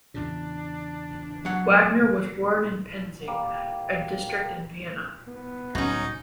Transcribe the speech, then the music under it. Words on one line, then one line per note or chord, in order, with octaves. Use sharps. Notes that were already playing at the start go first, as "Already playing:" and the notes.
Wagner was born in Penzing, a district in Vienna.
E2 A#2 C#3 D4
F#3 F#5
G3 A#3
B3
D1 C2 F#3 C#4 D#4